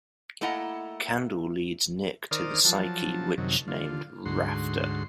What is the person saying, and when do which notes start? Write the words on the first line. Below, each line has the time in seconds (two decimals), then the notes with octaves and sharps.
Candle leads Nick to the Psyche witch named Rafter.
0.41 A3 A#3 E4 D#5 F#5 A#5
2.31 D#3 A#4 C5 D5 D#6 F6
2.65 F3 F#3 A5
3.38 F#2 C3 D#3 F#3
3.68 D3 F4
4.25 D2 G#2 F#4 C6